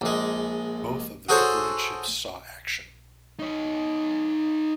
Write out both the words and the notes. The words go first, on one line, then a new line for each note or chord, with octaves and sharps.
Both of the converted ships saw action.
A#1 G#3
F#4 G#4 A4 C5 C#5
D#4 C#5